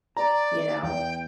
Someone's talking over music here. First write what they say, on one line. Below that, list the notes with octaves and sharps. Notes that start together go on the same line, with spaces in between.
You know?
D5 A#5
E2 G5